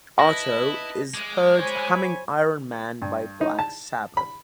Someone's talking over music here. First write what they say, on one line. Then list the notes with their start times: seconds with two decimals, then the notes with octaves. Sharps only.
Otto is heard humming "Iron Man" by Black Sabbath.
0.20 E4 B4 D#5 A5 A#6
1.14 G#3 D6
1.59 C5 C#5 G#5 B5
3.02 G2
3.41 D#4
3.59 A5
4.17 B5